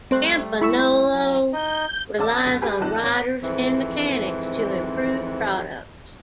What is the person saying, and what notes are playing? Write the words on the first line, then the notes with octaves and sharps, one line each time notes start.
Campagnolo relies on riders and mechanics to improve products.
G3 A3 C4 C5 F#6
E4 B5 C#6 E6
F#3
D#4 D#5 G6
A1 D5 A5 E6
F#1 D2
G4 G#4 B4
G#1 F3 D#4 A5 F#6
G#1 C#5 A#5
F2 G#2 E3 C4